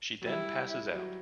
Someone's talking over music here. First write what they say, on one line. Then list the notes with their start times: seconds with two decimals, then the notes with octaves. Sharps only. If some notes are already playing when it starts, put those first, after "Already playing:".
She then passes out.
0.22 F#3
0.26 G3 E4
0.93 F#3